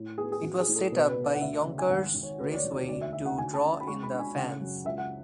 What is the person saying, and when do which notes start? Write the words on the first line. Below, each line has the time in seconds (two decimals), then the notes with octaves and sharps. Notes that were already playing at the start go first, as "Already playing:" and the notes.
It was set up by Yonkers Raceway to draw in the fans.
Already playing: A2
0.18 B3 G#4
0.32 G#4
0.42 A1 F#4
0.60 G#4
0.68 A2
0.76 A4
0.92 B2 B4
1.08 B4
1.17 B3
1.24 D5
1.34 F#5
1.41 D2 E5
1.65 C#3
1.79 G#5
1.90 G#1 F#5
2.15 G#1
2.23 C#5
2.40 D2 B4
2.52 D5
2.56 C#5
2.64 E1
2.73 F#4
2.88 D2 D5
3.01 E5
3.13 D2 E5
3.26 F#5
3.38 D2 G#5
3.54 A5
3.63 C#4
3.80 B5
3.87 G#3 C#6
4.03 B5
4.11 D4
4.20 G#5
4.36 C#3 F#5
4.61 F#2
4.85 C#2 E5
4.98 F#5